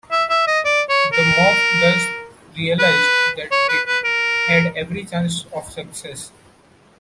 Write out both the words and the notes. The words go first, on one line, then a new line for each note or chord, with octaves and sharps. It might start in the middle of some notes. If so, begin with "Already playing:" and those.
The mob thus realized that it had every chance of success.
E5
E5
D#5
D5
C#5
A#4
B4
C#5
B4
B4
A#4